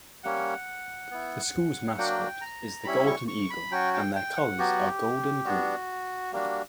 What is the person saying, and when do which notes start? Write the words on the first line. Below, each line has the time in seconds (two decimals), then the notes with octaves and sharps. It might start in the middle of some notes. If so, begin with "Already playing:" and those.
The school's mascot is the golden eagle and their colors are gold and green.
0.23 G3 A#3 C#4 F#5
1.11 B3 E4
1.97 F#3 A#3 D4 F#4 G5
2.41 A#5
2.84 G3 C#4 E4 B5
3.06 C#6
3.28 C#6
3.50 B5
3.71 F#3 C#4 F#4 G5
3.94 G5
4.15 G5
4.36 F#5
4.58 F#3 B3 F#4 G4
5.44 G3 B3 D4 F#4
6.32 G3 A#3 D4 F#4